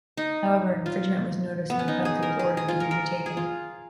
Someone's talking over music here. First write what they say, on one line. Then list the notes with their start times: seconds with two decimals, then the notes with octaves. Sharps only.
However, an infringement was noticed and the penalty was ordered to be re-taken.
0.17 D#4
0.86 F4
1.70 B3
1.79 C#4
1.88 D#4
2.05 G#4
2.22 A#4
2.39 G#4
2.57 G#4
2.68 F4
2.80 A#4
2.91 A#4
3.26 G#4
3.37 F4